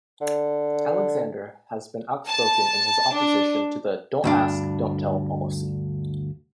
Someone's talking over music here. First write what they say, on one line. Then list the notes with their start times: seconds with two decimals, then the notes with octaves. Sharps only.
Alexander has been outspoken in his opposition to the "Don't Ask, Don't Tell" policy.
0.21 D3
2.26 A5
3.15 D4
4.24 D2 G2 D4